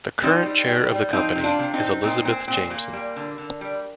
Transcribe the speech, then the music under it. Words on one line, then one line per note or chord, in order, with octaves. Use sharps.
The current chair of the Company is Elizabeth Jameson.
G3 C4 D#4
G3
G3
G3
F3 C4 D#4
C3
D4 F4
C3
C4 D#4
C3
A#2 C4 D#4
A#2 C4
A#2 C4
A#2 A#3
G3
D3
D3
G3